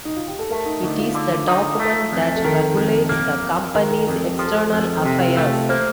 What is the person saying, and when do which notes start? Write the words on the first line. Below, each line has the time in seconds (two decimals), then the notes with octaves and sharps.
It is the document that regulates the company's external affairs.
0.05 D#4
0.17 F4
0.28 G4
0.39 A4
0.50 A3 A#4
0.66 D#4
0.83 D2 D#4
0.99 F4
1.15 D3
1.48 D#4
1.80 A3
2.12 F2
2.36 A4
2.45 D#3 A#4
2.77 F2
3.09 A#3
3.43 F2
3.74 D#3 A#4
3.91 A#4
4.07 F2 A4
4.23 A4
4.34 F3 G4
4.46 A4
4.72 F2
4.94 A4
5.04 C3 G4
5.20 F4
5.37 A3 G4
5.53 A4
5.69 A#3 C5